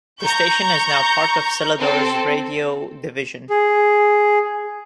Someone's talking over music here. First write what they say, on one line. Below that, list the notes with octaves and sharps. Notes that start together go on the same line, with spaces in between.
The station is now part of Celador's radio division.
A#5 C#6 G6
C4 A4
G#4